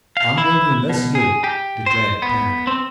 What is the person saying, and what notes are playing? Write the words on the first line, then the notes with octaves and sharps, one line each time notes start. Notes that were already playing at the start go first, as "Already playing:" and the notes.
"I'm going to investigate," declared Tad.
F5
E4
B2
G#4
G4
C5
B3
C4